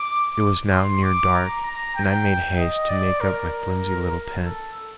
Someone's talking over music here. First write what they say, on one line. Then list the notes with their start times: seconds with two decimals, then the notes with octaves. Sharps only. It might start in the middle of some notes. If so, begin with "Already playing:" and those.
It was now near dark, and I made haste to make up my flimsy little tent.
Already playing: D6
0.72 C6
1.03 D6
1.34 A#5
1.66 A#5
1.96 G5
2.58 D#5
2.89 D5
3.21 A#4
4.45 A4